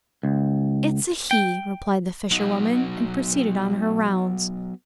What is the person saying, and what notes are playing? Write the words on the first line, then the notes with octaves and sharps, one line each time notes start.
"It's a he," replied the fisherwoman, and proceeded on her rounds.
C#2
G5
F#3 B3 D#4 F#4